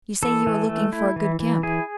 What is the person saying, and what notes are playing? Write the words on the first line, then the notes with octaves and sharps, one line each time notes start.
You say you are looking for a good camp.
E3 A4
E3
A3
E4
E3
E3
E4 G#4